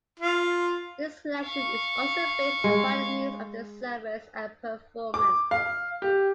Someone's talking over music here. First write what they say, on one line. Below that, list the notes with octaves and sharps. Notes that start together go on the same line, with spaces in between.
This selection is also based upon the needs of the service and performance.
F4
F5 C#6
G#3
D6
F5
G4